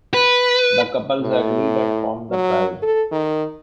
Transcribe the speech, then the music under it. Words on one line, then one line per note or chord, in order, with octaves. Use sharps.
The couples agreed, and formed The Pride.
B4
A2
F#3
A4
D#3